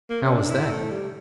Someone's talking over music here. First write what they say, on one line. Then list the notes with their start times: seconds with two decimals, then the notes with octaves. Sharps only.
"How was that?"
0.10 A#3
0.22 C#4
0.37 D4
0.50 E4
0.71 A3
0.90 G3